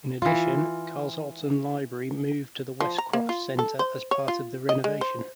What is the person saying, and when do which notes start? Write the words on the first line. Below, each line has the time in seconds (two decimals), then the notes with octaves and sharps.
In addition, Carshalton Library moved to the Westcroft centre, as part of the renovation.
0.22 E3 F4
2.80 F3
2.98 A#5
3.13 A#3
3.29 F4
3.59 A4
3.79 C5
4.11 C#5
4.28 F4
4.69 D#5
4.84 G#3
5.01 C5